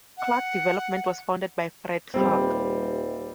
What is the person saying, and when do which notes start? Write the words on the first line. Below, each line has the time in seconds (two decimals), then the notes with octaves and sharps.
Clark Development was founded by Fred Clark.
0.18 F#5
2.14 D#1 G3 C4